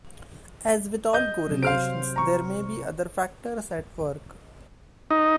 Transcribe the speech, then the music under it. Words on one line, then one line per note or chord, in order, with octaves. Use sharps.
As with all correlations, there may be other factors at work.
D#5 G6
C3 F#3
C5 F5 F6 D7
A#5 C#6
D#4